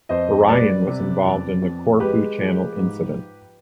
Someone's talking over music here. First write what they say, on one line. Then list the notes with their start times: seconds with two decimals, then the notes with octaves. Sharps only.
"Orion" was involved in the Corfu Channel Incident.
0.09 F2 C5 D#5
0.48 G3 B4 D5
0.87 C3
1.24 F2
1.62 F2
2.00 G#3 G4 B4
2.38 F3
2.77 G#2